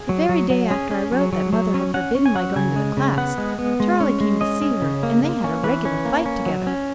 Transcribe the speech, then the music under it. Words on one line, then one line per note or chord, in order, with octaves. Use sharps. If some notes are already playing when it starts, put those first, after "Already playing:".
The very day after I wrote that mother had forbidden my going to the class, Charley came to see her, and they had a regular fight together.
Already playing: G#4
F#3
F#3
F#3
C#4 G#4
C#4
F#3
F#3
F#3
C#4
C#4 F#5
C#4
G#5
F#3 F#5
C#3 G#5
G#3
C#3
B3 F#5
G#3
B3
G#3
C#4
G#3
C#4 D#5
C#4
C#3
A#3
A#3
C#4
E3 B4
C#4
A#3
C#4
F#3
C#4